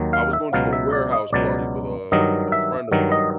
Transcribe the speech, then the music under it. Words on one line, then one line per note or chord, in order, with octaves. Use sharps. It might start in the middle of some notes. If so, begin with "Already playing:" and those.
I was going to a warehouse party with a with a friend of mine,
Already playing: D#2 D#3 F#3
F5
E5
C#2 B2 F#3 F5
E5
D5
D#5
C#2 B2 F#3 D5
G2 D#3 F#3 D#5
E5
G2 D#3 F#3
D#5